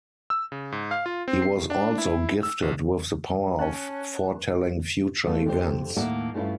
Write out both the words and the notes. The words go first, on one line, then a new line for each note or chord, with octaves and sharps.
He was also "gifted with the power of foretelling future events".
E6
C#3
G#2
F5
F4
C4
C7
D4
E4
E6
A#1
C#4 C#5 A5 F#6
A3 E4 F4 A4
F2 D3 G4 C5
D#2 A2 A#3 E5 F#5 A5
G2 A3 C#4 E4 F4